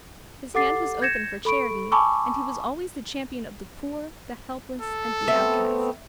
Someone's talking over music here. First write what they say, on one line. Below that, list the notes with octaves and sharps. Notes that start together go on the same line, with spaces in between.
His hand was open for charity, and he was always the champion of the poor, the helpless and the outcast.
G4 A4 F#5 D6 A6 C7
G6 G#6 A#6 C#7 E7
A4 B5 C#6 D7
G#5 A5 B5 C#6 D6 E6
A4
A3 B3 C4 E5